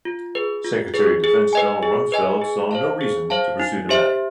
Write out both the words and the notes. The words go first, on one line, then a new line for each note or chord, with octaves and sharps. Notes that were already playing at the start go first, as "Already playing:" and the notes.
Secretary of Defense Donald Rumsfeld saw no reason to pursue the matter.
F4
G#4 B4
F4
G#4 B4
G#4
B4 D#5 G#5
G#4
B4 D#5 G#5
G#4
C5 F5 A5
G#4
C5 F5 A5
D#4
G4 C5 E5